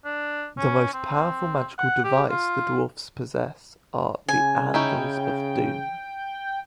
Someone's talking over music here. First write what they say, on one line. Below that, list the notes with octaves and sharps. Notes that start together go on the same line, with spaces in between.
The most powerful magical device the Dwarfs possess are the Anvils of Doom.
D4
C#4
C4
F#5
G4
F4
C#3 G#5
C#4 D#4 E4 G5